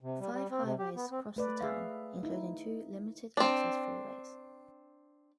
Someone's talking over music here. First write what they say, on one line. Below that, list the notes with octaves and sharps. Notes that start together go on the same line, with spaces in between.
Five highways cross the town, including two limited-access freeways.
C3
G3
G3
C4
C3
G4
B3
C4
A3 B4 D5
G#4 E5 F5
D#4 E4
C4 D4